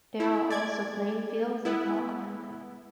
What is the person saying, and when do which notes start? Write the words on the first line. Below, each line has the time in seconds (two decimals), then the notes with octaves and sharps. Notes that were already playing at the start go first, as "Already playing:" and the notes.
There are also playing fields and parkland.
0.20 E4
0.50 D5 G#6
1.65 B3 E4